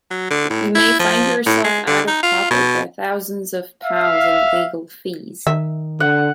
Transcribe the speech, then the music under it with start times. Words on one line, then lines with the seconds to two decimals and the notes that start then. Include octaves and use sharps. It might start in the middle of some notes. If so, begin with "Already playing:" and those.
You may find yourself out of pocket by thousands of pounds in legal fees.
0.11 F#3
0.30 D3
0.50 A2
0.75 E4
0.99 F3
1.46 A2
1.64 G#3
1.87 D3
2.08 D#4
2.23 F4
2.50 B2
3.84 E5 F5
5.47 D#3 E5
6.00 D3 F#5